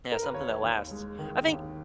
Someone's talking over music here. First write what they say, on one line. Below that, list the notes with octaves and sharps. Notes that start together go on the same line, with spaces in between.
Yeah, something that lasts. I think,
A#4
B4
D#2 C#5
D#2
G#3
D#3
D#2